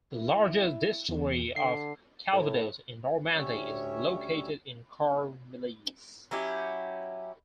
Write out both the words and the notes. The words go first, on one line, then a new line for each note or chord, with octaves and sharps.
The largest distillery of Calvados in Normandy is located in Cormeilles.
E4
E2
D3 C7
A2
D2 G3 C#4 C#5 E5
F#3 C#4 E4 G4